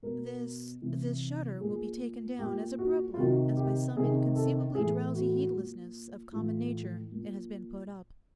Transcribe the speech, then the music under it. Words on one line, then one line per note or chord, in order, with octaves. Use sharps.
This--this shutter will be taken down as abruptly as by some inconceivably drowsy heedlessness of common Nature it has been put up.
B2 A#4
C3 E3
A#2 G#4
A#2 G4
F#4
F4
C3 D#3 F#4
G4
C3 D#3 G#4
A4
A2 E3 G#4
F#4
A#2
A2 E3 F4
A#2